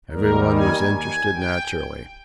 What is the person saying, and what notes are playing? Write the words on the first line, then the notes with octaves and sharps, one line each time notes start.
Everyone was interested naturally.
D#2 D#3 G3 A#4
G#5
G#5
G5